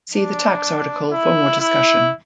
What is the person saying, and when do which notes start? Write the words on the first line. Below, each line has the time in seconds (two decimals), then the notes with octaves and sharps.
See the tax article for more discussion.
0.13 D4
1.11 E4
1.59 E4